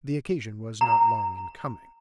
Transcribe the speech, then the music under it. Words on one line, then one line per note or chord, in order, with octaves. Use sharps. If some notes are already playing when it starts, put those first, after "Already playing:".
The occasion was not long in coming.
A#5